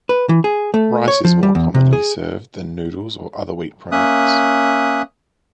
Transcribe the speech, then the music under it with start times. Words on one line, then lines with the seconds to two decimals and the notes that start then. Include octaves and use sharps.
Rice is more commonly served than noodles or other wheat products.
0.09 B4
0.29 E3
0.44 G#4
0.74 A3
1.08 C#5
1.25 F3
1.43 G3
1.55 E2
1.74 C3
1.93 G#4
3.92 A#3 C#4 E5 D#6 F#6